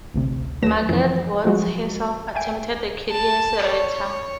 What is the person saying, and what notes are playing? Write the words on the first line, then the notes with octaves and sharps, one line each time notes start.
Margaret Watts herself attempted a career as a writer.
A1 D2 C3
D#2 F#3 A3 B4 A#6 E7
F#2 C#3 E3 F3
F3 F#3 G#3 F#4
E5 G5 G#5 D7
A5
C#5